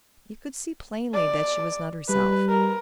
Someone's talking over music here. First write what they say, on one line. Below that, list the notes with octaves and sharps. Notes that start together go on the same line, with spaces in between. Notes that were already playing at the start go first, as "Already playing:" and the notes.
He could see plainly that she was not herself.
D5
G3 B4
A#4